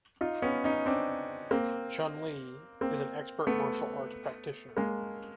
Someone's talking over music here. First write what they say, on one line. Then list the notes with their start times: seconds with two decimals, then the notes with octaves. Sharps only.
Chun-Li is an expert martial arts practitioner.
0.21 D#4 F4
0.42 B3 C#4
0.64 C#4 D#4
0.86 C4 D4
1.51 A#3 C4
2.81 A#3 C4
3.47 A3 B3
4.77 G#3 A#3